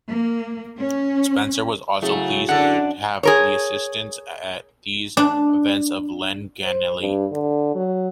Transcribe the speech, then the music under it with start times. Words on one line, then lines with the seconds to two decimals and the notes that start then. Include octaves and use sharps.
Spencer was also pleased to have the assistance at these events of Len Ganley.
0.12 A#3
0.78 C#4
2.02 C#3 F#3 A3 E4 F#4 G#4
2.49 F#2 D3 D4 A4 F#5
3.23 G#4 A#4 C#5
5.17 D4
6.64 C5
7.01 G2
7.32 D3
7.75 F#3